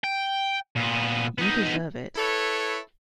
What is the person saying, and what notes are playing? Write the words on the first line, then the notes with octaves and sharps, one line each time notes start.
You deserve it.
G5
A#2 B3
B3 D#4
E4 A4 B4 C#5